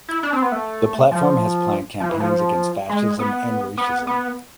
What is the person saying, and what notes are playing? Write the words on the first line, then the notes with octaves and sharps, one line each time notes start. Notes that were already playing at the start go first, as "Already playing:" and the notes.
The Platform has planned campaigns against fascism and racism.
E4
D4
C4
B3
A3
F3
F3
E3
F3
G#3
B3
B3
B3